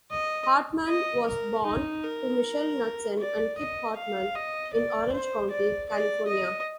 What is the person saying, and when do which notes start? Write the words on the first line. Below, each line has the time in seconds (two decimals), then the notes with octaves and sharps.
Hartman was born to Michele Knutsen and Kip Hartman in Orange County, California.
0.11 D#5
0.88 D#5
1.26 A#4
1.66 D#4
2.04 A#4
3.19 D5
3.58 D#5
3.97 F5
4.35 D#5
4.73 D5
5.12 C5
5.51 D5
5.89 D5
6.27 D#5